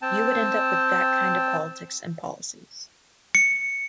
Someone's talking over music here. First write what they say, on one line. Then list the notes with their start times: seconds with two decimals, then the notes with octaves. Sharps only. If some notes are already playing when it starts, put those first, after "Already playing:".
You would end up with that kind of politics and policies.
0.02 C4 G5 A5
3.35 C#7